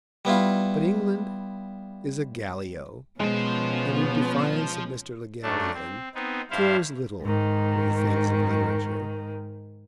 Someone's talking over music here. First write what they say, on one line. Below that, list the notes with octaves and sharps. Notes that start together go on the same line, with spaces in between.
But England is a Gallio, and in defiance of Mr. Le Gallienne, cares little for the things of literature.
G3 B3 E4 F4
B2 F3 G#3 B3 C#4 C5
F#2 A3 D4
C4
B3 C4 D#4
G2 E4 C5 F5
G#2 D#3